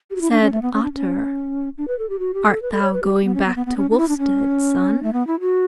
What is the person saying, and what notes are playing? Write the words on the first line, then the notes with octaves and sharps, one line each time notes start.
Said Otter, "Art thou going back to Wolfstead, son?"
G4
F#4
E4
D4
C#4
A3
B3
C#4
D4
C#4
D4
B4
A4
G4
F#4
G4
A4
B4
A4
C#5
B4
G4
G4
B3
C#4
B3
B3
B3
C#4
D4
E4
D4
C#4
A3
B3
E4
F#4